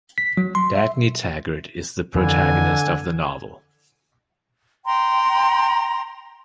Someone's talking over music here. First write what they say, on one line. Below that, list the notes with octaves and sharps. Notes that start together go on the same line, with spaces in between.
Dagny Taggart is the protagonist of the novel.
B6
F#3
C6
E5
F2 D3 E3 G#5
G5 A#5 C6